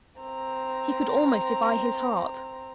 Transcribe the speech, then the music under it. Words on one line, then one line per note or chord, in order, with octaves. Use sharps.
He could almost defy his heart.
C4 A#5